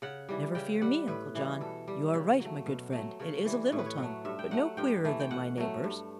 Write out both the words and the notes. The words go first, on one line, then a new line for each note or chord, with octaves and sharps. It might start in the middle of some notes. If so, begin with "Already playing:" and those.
"Never fear me, Uncle John; you are right, my good friend, it is a little tongue, but no queerer than my neighbours."
C#3 F#5
E3 G3
C#3 G5
G3 F#5
A2 B4
E3 G3
B2 A4
G3
C#3
F#3
A3
B2
A3
F#3
C#3 C#5
E3 G3
A2 C#5
B4
C#5
F#3 A3
G2 E5
G5
F#3 A3 F#5
G2 G5
E3 A3
G5
B2 F#5
F#3 A3
G2